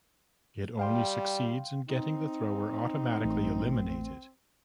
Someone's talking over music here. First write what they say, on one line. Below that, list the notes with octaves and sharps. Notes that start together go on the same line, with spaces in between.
It only succeeds in getting the thrower automatically eliminated.
G3 F5 G5 C6
C4 D#4
A1 A3